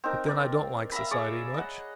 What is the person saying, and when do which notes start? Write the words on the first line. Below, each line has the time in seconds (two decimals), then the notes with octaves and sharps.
But then, I don't like society--much.
0.04 C4 D#4 A#4
0.26 A#4 D5
0.92 E5 F5 A#5 B5
1.11 G#4 C#5 D5
1.54 D#5 F#5